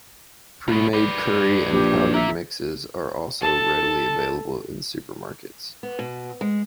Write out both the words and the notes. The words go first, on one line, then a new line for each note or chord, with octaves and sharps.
Premade curry and powdered mixes are also readily available in supermarkets.
C2 B2
B4 D5
A#1 G4
A#2 A#3 E5
A4 A5
B3
B2
G#3